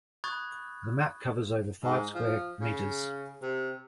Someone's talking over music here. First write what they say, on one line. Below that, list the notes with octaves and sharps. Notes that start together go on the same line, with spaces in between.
The map covers over five square meters.
B5 C#6 D#6 F#6 G#6 A6
G#2
F3
C#3
C3